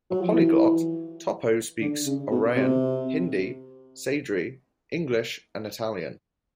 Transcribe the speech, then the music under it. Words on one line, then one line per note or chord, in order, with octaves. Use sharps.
A polyglot, Toppo speaks Oraon, Hindi, Sadri, English and Italian.
F#3
F3
E3
D3
C#3
B2
C3